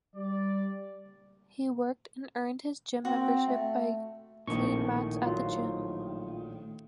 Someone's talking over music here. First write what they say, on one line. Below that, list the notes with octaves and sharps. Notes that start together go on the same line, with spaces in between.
He worked and earned his gym membership by clean mats at the gym.
G3 D5
C4 F#4
A3
A#1 A2 D#3 C#6
F#3 F4